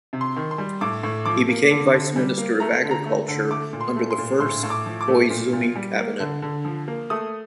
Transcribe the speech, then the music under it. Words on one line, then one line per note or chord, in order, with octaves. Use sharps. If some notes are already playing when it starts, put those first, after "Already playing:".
He became Vice Minister of Agriculture under the first Koizumi cabinet.
C3
C6
D#3
C6
G3
A2 D6
A2
F3 D6
A#3
D3
D3
G3
A#3
A3 A#5
D3
A#5
A3
D3
A3 D6
A#2
C6
A3
C6
A#2
A2 C6
A2
D6
F3
D6
A3
A#2
A#2
G3
A#3
D3
D3
F3
A#3
A3 D#6